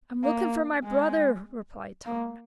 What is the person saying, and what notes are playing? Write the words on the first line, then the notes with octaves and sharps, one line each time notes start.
"I'm looking for my brother," replied Tom.
A#3
G#3
A#3